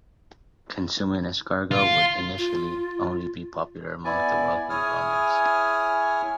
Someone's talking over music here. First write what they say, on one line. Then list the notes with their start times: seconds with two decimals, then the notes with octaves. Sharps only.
Consuming escargot would initially only be popular among the wealthy Romans.
1.71 F4
2.38 F4
4.04 B3 E4 D5 G#5
4.70 E4 G#4 C#5 G#5 D#6 F6